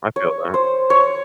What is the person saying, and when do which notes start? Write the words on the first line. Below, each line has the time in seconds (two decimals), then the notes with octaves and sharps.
I feel that.
0.16 C#5
0.54 C5
0.90 C#5